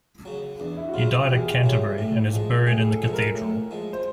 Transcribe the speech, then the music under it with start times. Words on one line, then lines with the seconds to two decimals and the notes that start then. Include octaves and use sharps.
He died at Canterbury and is buried in the Cathedral.
0.25 C#3 F#3
0.60 E2 D4
0.77 E4
0.89 F#4
0.94 C#3 F#3 F4
1.11 F#4
1.29 E2 G4
1.38 G#4
1.48 G4
1.64 C#3 F#3
1.98 A2
2.33 F3 G#3
2.67 A2 G#4
2.90 A4
3.02 F3 G#3 A4
3.13 A#4
3.36 A2
3.71 F3 G#3
3.93 C5